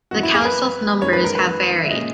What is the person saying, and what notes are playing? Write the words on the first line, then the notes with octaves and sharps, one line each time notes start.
The council's numbers have varied.
F#2 E3 B3 F#4
E4
G#4
A#4
B4
F#2 D#3 G#3 C#5
B4
A#4
B4
B4
E5
A#2 G#3 C#4 D#5